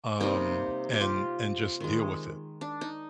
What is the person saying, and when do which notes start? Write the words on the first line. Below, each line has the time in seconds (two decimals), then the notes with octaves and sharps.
um, and and just deal with it.
0.20 C3 G3 A#3 D#4
0.93 G4
1.01 F4
1.80 D#3 G#3
2.61 D4
2.81 D#4